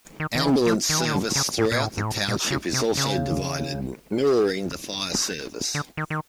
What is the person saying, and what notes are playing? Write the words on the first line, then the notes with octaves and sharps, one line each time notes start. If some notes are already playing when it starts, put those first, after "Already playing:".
Ambulance service throughout the Township is also divided, mirroring the fire service.
D#3
D#3
E3
F3
D#3
E3
D#3
D3
C#3
A2
A#2
A2
G#2
A2
A#2
C#3
C3
C#3
D3
D#3
D#3